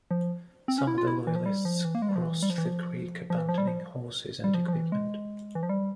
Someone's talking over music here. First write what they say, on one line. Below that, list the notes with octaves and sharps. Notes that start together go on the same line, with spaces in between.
Some of the Loyalists crossed the creek, abandoning horses and equipment.
F3
C4
C#4
E4
F4
E4
E3
F3
G3
F3
E3
A#3
G#3
G3
F3
E3
G3
F3
E3
F3
F3
E3
F3
G3
F3
G3
F3
F3
E3
G#3
E3
F3
G3